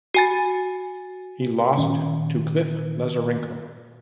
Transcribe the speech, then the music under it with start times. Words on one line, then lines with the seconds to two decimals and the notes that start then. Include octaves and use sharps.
He lost to Cliff Lazarenko.
0.14 F#4 G#5 A6
1.77 A#2 D#3 C#4